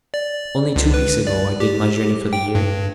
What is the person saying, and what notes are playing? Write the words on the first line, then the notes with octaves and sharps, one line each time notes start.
Only two weeks ago I did my journey for the year.
D5
C#2
B4
D5
G4
G5
G2